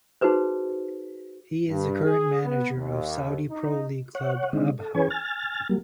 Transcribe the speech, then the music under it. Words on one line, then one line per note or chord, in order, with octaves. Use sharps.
He is the current manager of Saudi Pro League club Abha.
D#4 F#4 G#4 B4 C5
G2
G#4
B3
D#2
D#4
C#5 F#5
D3 D#3 G#3 C4 D4 D#4
A4
E3 C#4 G#4 B4 C#5 G#5
G#5 F6 A6
F#3 G3 A#3